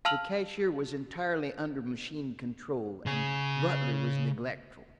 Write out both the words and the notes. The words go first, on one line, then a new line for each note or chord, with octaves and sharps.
The cashier was entirely under machine control, and Butler was neglectful.
F5 A5 E6 F6 F7 F#7
C#3 G#4